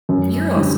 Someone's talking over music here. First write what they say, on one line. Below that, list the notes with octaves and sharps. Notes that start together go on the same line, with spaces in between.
You're awes
F#2
D3 G3